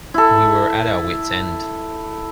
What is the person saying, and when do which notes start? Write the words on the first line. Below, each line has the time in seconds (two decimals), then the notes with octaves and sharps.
We were at our wits' end.
0.14 E4 A4